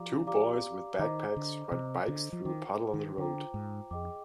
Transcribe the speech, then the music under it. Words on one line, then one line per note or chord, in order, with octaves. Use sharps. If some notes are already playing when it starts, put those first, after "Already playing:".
Two boys with backpacks ride bikes through a puddle on the road.
Already playing: F3 G4 D5 F5 A#5 D6
G4 D5 F5 A#5 D6
D#3 C5 D#5 A#5 D6
D3
C3 C5 D#5 A#5 D6
D3
F3
D#3 F4 C5 G5 A#5 D6
D#3
D3 F4 C5 G5 A#5 D6
G#2
F2 G#4 D#5 G5 D6